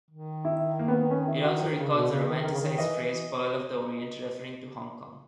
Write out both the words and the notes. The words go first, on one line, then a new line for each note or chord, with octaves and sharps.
It also recalls the romanticised phrase "Pearl of the Orient" referring to Hong Kong.
D#3
E4
A#3
B3
C#4
E4
F#4
A#4
C#3
B2
C#3
D#3
D#3 A#4
C#3
D#3
E3 D#5